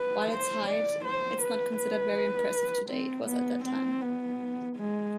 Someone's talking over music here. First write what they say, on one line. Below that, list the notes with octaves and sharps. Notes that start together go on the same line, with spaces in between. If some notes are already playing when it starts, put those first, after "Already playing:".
While its height is not considered very impressive today, it was at that time.
Already playing: B4
C5
D5
C5
B4
B4
C4
B3
C4
B3
G#3